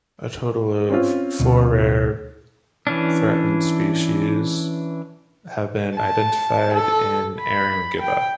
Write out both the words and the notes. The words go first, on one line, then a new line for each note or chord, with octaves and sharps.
A total of four rare of threatened species have been identified in Erringibba.
C4 C#4 F4
D2 B2
E3 C#4 D4
A5
A4
B5
G5